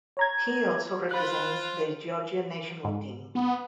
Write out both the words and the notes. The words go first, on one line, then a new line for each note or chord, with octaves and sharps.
He also represents the Georgia national team.
C#5 A#5 G#6
F4 C5 B5 F#6
G#2
B3